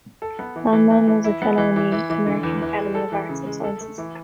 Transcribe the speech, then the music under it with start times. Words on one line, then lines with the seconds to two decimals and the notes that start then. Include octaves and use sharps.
Lanman was a Fellow in the American Academy of Arts and Sciences.
0.22 A4
0.39 B3
0.56 E3
0.73 E3
0.90 E3
1.08 E3
1.24 E4
1.42 B3
1.58 E3
1.76 E3
1.92 E3
2.10 E3
2.26 D3
2.43 E2
2.62 E3
2.78 G#3
2.95 A4
3.12 E3
3.29 C#3
3.46 G#3
3.64 A4
3.81 A3
3.98 E3